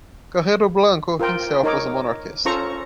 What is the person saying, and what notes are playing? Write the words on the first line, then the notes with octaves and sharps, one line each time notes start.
Carrero Blanco himself was a monarchist.
F4 A#4 C5 G5
D#4 A#4 C#5 D#5 D6
C#4 F4 A4 C5 A#5 C#6